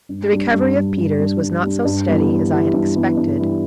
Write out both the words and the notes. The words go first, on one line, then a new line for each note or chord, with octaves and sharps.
The recovery of Peters was not so steady as I had expected.
G2
G3 D4
G2
G3 D4
G2
G3 D4
G2
G3 D4
G2
E3 G3 B3 E4
G2
E3 G3 B3 E4
G2
E3 G3 B3 E4
G2
E3 G3 B3 E4